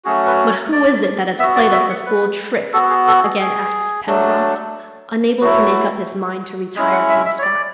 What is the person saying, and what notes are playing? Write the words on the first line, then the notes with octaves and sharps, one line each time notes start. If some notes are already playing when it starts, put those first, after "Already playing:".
"But who is it that has played us this cool trick?" again asked Pencroft, unable to make up his mind to retire from the spot.
F#3 A3 C#4 F#4 G#4
B4
C#5
D5
B3 F#4 E5
D5
E5
F#5
B4
B3 F#4 A4
G#4
A4
G#4
G#4
F#3 A3 D4
F#3 A3 E4 F#4
G#3 C#4 E4 G#4
F#5
E5
E5
C#5
D5